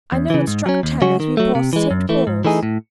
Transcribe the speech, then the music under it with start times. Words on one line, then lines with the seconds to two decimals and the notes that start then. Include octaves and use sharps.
"I know it struck ten as we passed St. Paul's."
0.12 E2
0.30 C#3 E3
0.47 G#2
0.66 F#3 C#4
0.83 D#2
1.02 C#3 F#3 C#4 F#4
1.20 D#3
1.37 F#3 A3
1.55 C3
1.73 E3 G#3
1.91 F#2
2.09 E3 A3
2.27 G#2
2.45 E3 A3 D#4 G#4
2.63 A2